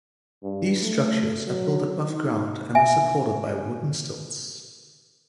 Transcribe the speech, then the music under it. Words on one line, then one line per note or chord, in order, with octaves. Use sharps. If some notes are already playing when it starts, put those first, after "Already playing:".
These structures are built above ground and are supported by wooden stilts.
G2
A3
F#3
D#4
E5 G#5